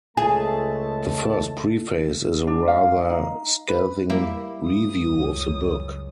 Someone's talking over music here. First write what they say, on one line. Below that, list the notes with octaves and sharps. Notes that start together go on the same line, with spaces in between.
The First Preface is a rather scathing review of the book.
C#2 A3 G#4 A5
D4
F5
D#4
B4
G3 A#3 E4
D#6
C#2 F#2